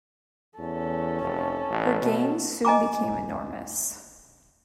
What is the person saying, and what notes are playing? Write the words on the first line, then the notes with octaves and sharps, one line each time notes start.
Her gains soon became enormous.
E2 C#4 A4
F1
A1
B2
D#5 G#5 A#5 D6